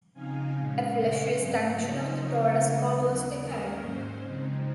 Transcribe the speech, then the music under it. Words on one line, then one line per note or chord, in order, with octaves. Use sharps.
A fleshy extension of the thorax covers the head.
C#3 F3 C4 D#4 F5 G#5
A#2 G#3 C#4
F2 C#3 G#3 C#4 D#5 F#5
G#2 F#3 C4
C#3 F3 C4 D#4 C5 D#5
C#3 F#3 C4 A#4 C#5
D#2 C#3 G#3 D#4
D#2 C#3 F#3
D#2 D#3 A#3 C#4 A#4
G#2 F#3 C#4 C5
C#3 F3 G#3 C4 D#4